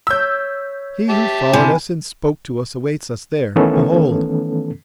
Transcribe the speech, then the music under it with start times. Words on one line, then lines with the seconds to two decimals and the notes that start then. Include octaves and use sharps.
"He who followed us and spoke to us awaits us there; behold!"
0.07 C#5 E6 G6 B6
1.09 G4 E5 A5
1.53 C3 E4 G#5
3.56 D#3 E3 A3 B3 C#4 A4